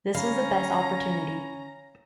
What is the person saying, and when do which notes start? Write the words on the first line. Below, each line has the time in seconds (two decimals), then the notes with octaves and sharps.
This was the best opportunity.
0.14 D3 C#4 F5 A#5 B5